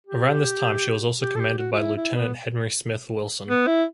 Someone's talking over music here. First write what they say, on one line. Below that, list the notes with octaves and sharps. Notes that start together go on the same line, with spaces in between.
Around this time she was also commanded by Lieutenant Henry Smith Wilson.
G4
G4
A4
G4
F#4
F#4
E4
E4
B3
B3
E4